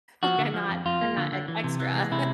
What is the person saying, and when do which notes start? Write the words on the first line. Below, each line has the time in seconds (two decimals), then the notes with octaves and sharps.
like, I'm not I'm not ex extra,
0.23 F3 F#4
0.38 D3
0.54 F3
0.70 F2
0.85 F2 F4
1.01 A#3
1.17 D3
1.32 D3
1.48 E3
1.64 C3
1.80 E3
1.95 G#3
2.11 C3 E4